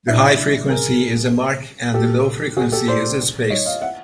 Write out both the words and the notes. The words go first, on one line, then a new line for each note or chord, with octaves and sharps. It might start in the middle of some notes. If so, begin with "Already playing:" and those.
The high frequency is a mark, and the low frequency is a space.
D4 E4
G#4 A#4
G4 A4
F#4 G#4
G4 A4
C5 D5
C#5 D#5
D#5 F5
E5 F#5